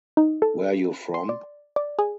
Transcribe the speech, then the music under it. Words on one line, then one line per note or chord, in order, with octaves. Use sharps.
Where you from?
D#4
A4
C6
D5
D5
G#4